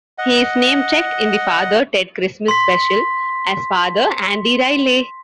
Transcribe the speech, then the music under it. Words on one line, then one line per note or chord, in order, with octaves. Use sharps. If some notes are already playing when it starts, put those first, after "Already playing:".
He is namechecked in the "Father Ted Christmas Special" as 'Father Andy Riley'.
D#5 F#5
C6 B6